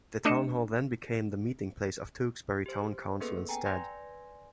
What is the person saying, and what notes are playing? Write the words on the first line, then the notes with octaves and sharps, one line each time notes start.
The town hall then became the meeting place of Tewkesbury Town Council instead.
A3 D4 D#5 C#7 E7
G4 C5
A#3 B3 C#4 G#4 A4 B4
G5 G#5 A#5
B4 D5 G#5 C6 G#6 A#6